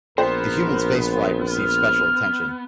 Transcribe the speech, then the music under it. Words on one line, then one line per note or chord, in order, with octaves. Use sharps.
The human spaceflight received special attention.
A#1 B3 A#4 C5
F6